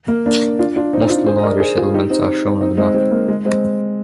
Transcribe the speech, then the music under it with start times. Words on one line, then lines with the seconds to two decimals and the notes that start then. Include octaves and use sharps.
Most of the larger settlements are shown on the map.
0.08 A#3
0.26 A#3 D4
0.59 D4 F4
0.76 D4 F4
0.93 C4 D#4
1.09 D4 F4
1.26 G#4 C5
1.39 D#5
1.43 A#4 D5
1.60 G#4 C5
1.77 F4 G#4
1.94 D#4 G4
2.10 C4 D#4
2.61 C4 D#4
2.77 G#3 C4
2.94 G#3 C4
3.11 A#3
3.28 G#3
3.45 G#3 C4